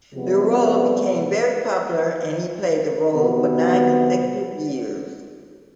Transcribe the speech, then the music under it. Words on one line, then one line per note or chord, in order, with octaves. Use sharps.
The role became very popular and he played the role for nine consecutive years.
C3 F3 G#3 B3 D4
C3 D#3 F#3 B3